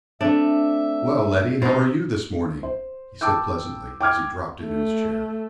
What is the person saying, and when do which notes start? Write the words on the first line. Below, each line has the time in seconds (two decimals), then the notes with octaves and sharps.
"Well, Letty, how are you this morning?" he said pleasantly, as he dropped into his chair.
0.21 A3 C4 D4 E5
1.62 B2 D#4 C5
2.63 C5
3.21 G5 A5 D6 E6 G6
4.01 G5 D6 F6 G#6
4.63 A3